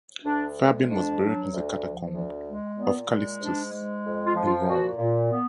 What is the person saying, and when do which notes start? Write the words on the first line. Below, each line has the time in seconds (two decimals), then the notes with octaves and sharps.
Fabian was buried in the catacomb of Callixtus in Rome.
0.25 D2 D4
0.57 G#3
0.88 F2 D4
1.20 F#3
1.51 D2
1.83 F3
2.14 D2
2.45 G#3
2.78 A#2 B3
3.09 G#3
3.40 G#2 D4
3.72 G#3
4.04 F2
4.25 F4
4.35 F3
4.45 F4
4.66 A#2 F#4
4.98 A#2
5.30 B3